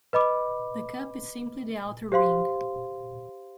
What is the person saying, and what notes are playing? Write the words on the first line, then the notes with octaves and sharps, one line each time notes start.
The cup is simply the outer ring.
B4 D#5 B5 D6
G4 C5 F5 C6